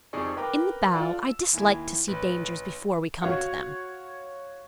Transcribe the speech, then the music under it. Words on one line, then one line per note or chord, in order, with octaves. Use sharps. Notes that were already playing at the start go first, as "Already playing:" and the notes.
"In the bow; I dislike to see dangers before we come to them."
F2 C3 D#4 G#4 D5 C#6
A#4 B4 G5 A#5 D6
F4 A4 D5 F#5 A5
E6
D#2 E4 G#5
A1 B4
F#4 C#5 F5 F#5